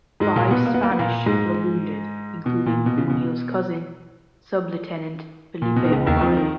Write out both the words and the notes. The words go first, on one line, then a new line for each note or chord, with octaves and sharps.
Five Spanish were wounded, including O'Neill's cousin, Sublieutenant Felipe O'Reilly.
G#2 G#3
A#2 A#3
B2 B3
A#3
B3
A#3
B3
A#2 A#3
G#2 G#3
B2
A#2
B2
C#3
B2
A#2
B2
D#3
C#2 C#3
D#2 D#3
F2 F3
D#3